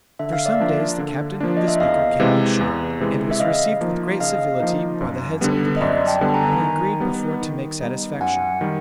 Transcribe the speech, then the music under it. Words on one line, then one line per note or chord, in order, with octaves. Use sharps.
After some days the captain of the Speaker came on shore, and was received with great civility by the heads of the pirates, having agreed before to make satisfaction.
D3 E5
F5
D5 E5
F3 A#3 D4
D3
F3 A#3 D4
D#5
E5
E2 D#5 F5
C3 E3 G#3
E2
C3 E3 G#3
E5
C#3 D#5 F5
F3 A#3 D#4
C#3 D#5 F5
F3 A#3 D#4
F#2
D3 G3 B3
D#5
F#2 D5 E5
G5 A5
D3 G3 B3
G#5 A#5
D#3
G3 B3 D#4
D#3
G3 B3 D#4
F#2 F#5 G#5
D#3 G3